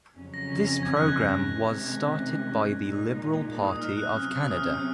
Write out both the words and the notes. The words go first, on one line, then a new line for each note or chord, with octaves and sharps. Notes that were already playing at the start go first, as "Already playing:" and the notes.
This program was started by the Liberal Party of Canada.
F2 C#3 F#3 C#4
A#6
A#6
A#6
G#6
F#6
G#6
C3 D#3 G#3 C#4
A#2 G#3 D#4
D#6
F6
F#6
C3 F#3 C#4 F6
D#6
F6
D#6